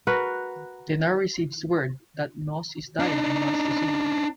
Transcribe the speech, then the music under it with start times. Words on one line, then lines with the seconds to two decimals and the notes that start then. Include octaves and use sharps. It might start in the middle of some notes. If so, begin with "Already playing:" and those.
Tenar receives word that Moss is dying and wants to see her.
0.07 F#4 A#4 B4
2.99 D4 D#4